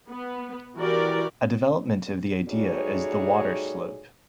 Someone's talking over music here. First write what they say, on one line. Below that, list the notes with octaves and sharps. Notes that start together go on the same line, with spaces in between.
A development of the idea is the water slope.
B3
E3 F#4 G4 A#4 D5
G3 A3 D#4 F#4 G#4 C#5